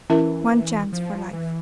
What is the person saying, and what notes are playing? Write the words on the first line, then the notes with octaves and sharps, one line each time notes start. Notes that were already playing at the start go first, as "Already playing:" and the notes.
One chance for life.
E3 C#4 E4 A#4 E5
F3
E3